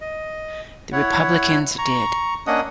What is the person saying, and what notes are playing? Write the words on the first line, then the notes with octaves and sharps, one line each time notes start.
The Republicans did.
D#5
E4 C#5 F#5
A#5 C#6
A#3 C#4 D4 D#5 F#5 D#6